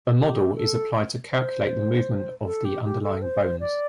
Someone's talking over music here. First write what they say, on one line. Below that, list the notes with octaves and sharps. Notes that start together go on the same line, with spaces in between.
A model is applied to calculate the movement of the underlying bones.
G4
A4
C5
A4
G4
G4
A4
C5
D5